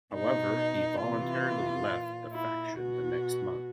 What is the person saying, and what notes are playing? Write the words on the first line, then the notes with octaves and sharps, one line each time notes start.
However he voluntary left the faction the next month.
B2 D#4
C3 E3 F4
A#2
E4
B2 F#4